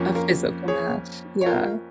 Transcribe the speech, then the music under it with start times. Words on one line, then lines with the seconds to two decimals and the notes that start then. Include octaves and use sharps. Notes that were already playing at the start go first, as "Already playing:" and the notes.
a physical match, yeah.
Already playing: F2 F3 A#3 C#4
0.15 F4 A#4
0.68 G#4 C#5
1.41 C#5
1.46 F4 A#4